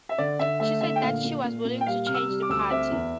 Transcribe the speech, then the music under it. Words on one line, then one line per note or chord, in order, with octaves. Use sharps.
She said that she was willing to change the party.
E5
D3 D5
D3 E5
A3 E5
D3 E5
G5
A#2 F5
A#2
A#2
A#2
G5
G3 F5
C3 F6
E6
G3
D6
D2 E6
D6
C4 E5
E2